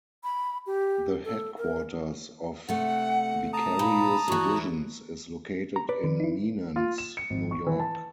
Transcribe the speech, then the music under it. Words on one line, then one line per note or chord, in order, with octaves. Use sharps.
The headquarters of Vicarious Visions is located in Menands, New York.
B5
G4
A4
A#4
C3 A3 F#5
A5 A#5 D#6
A#2 B5
E2 E3 F#4
A#5
B4 D5
D#3
D#4 E4
F4
E7
C#7
G#1
C#6
E3
A5